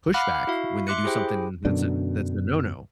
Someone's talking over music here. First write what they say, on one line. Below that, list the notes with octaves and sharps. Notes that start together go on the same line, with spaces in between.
pushback when they do something that's a that's a no, no.
F5 F#5 B5 D6 F6 F#6
E4 F#4 E5 F5
E5 C6 D6 F#6 C#7
E4 G4 G#4 C5 G5
F#2 B2 D3 D4